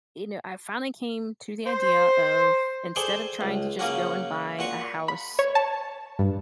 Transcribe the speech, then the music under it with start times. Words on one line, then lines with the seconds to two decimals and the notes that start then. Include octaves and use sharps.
you know, I finally came to the idea of, instead of trying to just go and buy a house
1.66 C5
2.96 G#4 A4 C5 D5 G5 G#5
3.41 C#2
3.79 C#3 F#3 A#3 C#4 F#4
4.59 A#2 F#4 C#6
5.08 B5
5.39 C#5
5.55 A5
6.19 G2